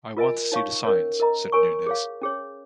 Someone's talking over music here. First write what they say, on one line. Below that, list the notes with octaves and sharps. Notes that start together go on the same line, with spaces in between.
"I want to see the signs", said Nunez.
F4 A#4 D#5 G#5
D#4 C#5 F5 C#6
C#4 A#4 C#5
A#4 D#5 A#5
A#4 C#5 G#5 C#6
G#4 C#5 F5
C#4 G#4 C#5